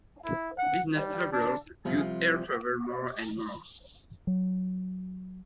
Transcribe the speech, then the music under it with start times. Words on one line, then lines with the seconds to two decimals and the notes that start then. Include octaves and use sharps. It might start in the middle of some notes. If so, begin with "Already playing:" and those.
Business travellers used air travel more and more.
0.25 E4
0.58 F#5
0.96 G3
1.32 D4
1.85 C3 F3 G3
4.27 F#3